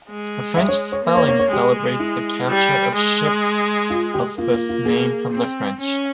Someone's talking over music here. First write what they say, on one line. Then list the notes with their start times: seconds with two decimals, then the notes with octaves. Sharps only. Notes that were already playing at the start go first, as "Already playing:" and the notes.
The French spelling celebrates the capture of ships of this name from the French.
0.09 G#3
0.57 E5
0.68 C#5
0.92 C#5
1.05 A#3
1.16 C#5
1.28 C#5
1.39 C#5
1.52 G#3 G4
1.99 E4
2.47 G3
2.94 G#3
3.90 F4
4.14 G4
4.37 A#3 F4
4.53 F4
4.69 F4
4.85 G#4
5.33 C4
5.80 C#4